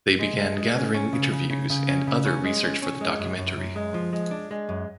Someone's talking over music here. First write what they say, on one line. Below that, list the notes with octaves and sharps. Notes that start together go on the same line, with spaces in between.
They began gathering interviews and other research for the documentary.
G#3
G#3
G#3
C#4
C#4
C#3
C#3
C#3
C#3
C#4
C#3
C#4
G#3
C#4
C#4
G#3
F#2
F#2
F#2
G#3
F3
G#3
D4
G#3
F#2